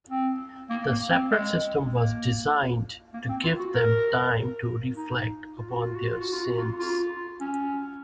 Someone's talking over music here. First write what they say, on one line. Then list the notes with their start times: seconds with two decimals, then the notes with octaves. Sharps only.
The separate system was designed to give them time to reflect upon their sins.
0.09 C4
0.70 A#3
0.89 A#3
1.10 C4
1.31 G#3
1.92 A#3
3.13 A#3
3.29 C4
3.44 F4
3.59 F#4
3.75 A#4
4.96 D#4
5.57 F4
5.70 F#4
5.82 F4
5.96 F#4
6.08 F4
6.20 F#4
6.32 F4
6.45 F#4
6.58 F4
6.79 F4
7.40 C#4